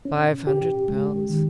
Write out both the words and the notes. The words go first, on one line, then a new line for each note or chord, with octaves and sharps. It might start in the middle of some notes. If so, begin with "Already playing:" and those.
Five hundred pounds!
C#4
G4
G#3
D#3